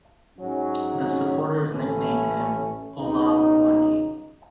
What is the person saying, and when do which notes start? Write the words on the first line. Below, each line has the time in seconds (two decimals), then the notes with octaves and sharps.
The supporters nicknamed him "Olav Viking".
0.39 G#2 F#3 C#4
1.68 A1 A2 E3 A3 C#4
2.98 C#2 B2 G#3 D#4